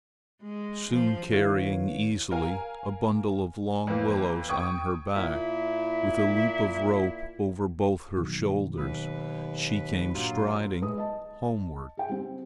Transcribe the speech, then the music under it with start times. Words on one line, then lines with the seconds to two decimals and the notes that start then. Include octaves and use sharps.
Soon carrying easily a bundle of long willows on her back, with a loop of rope over both her shoulders, she came striding homeward.
0.42 G#3
0.92 F3
1.31 D#3 E4 B4 C#5 F5 G#6
2.31 A#4 F5 G#5
3.87 F2 E3 A#3
4.49 G5 C#6 D#6 G#6
5.16 A#2 E4
8.17 B2 D#3 F#3
8.77 D#2 B4
10.14 G2 A#2 F#3 A#3 F4
10.81 G#3 B4 D#6
10.98 D#5 A5
11.97 G#4 G5
12.09 G3 C4